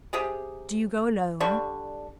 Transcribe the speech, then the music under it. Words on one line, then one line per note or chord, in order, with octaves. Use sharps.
"Do you go alone?"
C3 G4 G#4
D3 G3 C#6